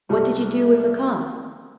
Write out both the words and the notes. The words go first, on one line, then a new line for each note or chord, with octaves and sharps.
'What did you do with the calf?'
C2 G3 A3